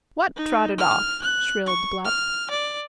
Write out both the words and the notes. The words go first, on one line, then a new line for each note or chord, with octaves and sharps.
"What trotted off?" shrilled Bluff.
D#4
F6
F#6
C#6
F6
D5